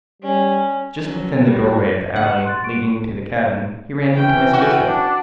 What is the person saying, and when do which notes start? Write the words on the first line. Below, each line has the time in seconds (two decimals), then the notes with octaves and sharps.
Just within the doorway of the alley leading to the cabin, he ran into Miss Bishop.
0.22 G3 C#4
1.01 F#3 C#4
1.41 G3 F#4
2.16 F#5
2.45 C6 F#6 A6
2.64 C#6 D7
4.14 E3 C#4 G5
4.53 F#4
4.86 D4